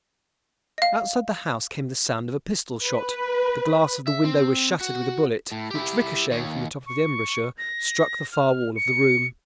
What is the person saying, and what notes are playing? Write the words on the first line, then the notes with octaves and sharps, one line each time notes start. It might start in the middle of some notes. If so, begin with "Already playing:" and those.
Outside the house came the sound of a pistol-shot; the glass of the window was shattered with a bullet, which, ricochetting from the top of the embrasure, struck the far wall of the room.
D#5 F5
B4
E5
C4
F#4
A2
E4 G4
D#2 C#5
C#6
A#6
F6
C#7